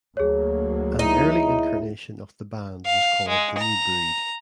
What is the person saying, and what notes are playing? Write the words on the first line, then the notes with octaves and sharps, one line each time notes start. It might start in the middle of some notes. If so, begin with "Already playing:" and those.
An early incarnation of the band was called the New Breed.
D2 F#3 A#3 G#4 C#5
D#4 E4
F5
G#3
A#5